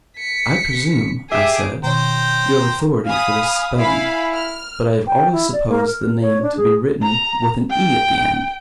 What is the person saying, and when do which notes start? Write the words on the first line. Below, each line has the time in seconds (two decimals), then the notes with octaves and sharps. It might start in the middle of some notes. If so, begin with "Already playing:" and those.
"I presume," I said, "you have authority for this spelling, but I have always supposed the name to be written with an e at the end."
0.18 B6 C#7
1.30 G4 G#4 E5 D6
1.84 B2 D#3 C5 C#5 G5 A#5
3.06 F5 G#5 B5 D#6
3.79 E4 F5 G#5 B5
4.35 F6
5.07 G5
5.32 E4
5.53 D5
5.68 A#3
5.86 A#4
6.21 C#5
6.42 D4
6.57 G#4
7.02 A#5
7.70 G5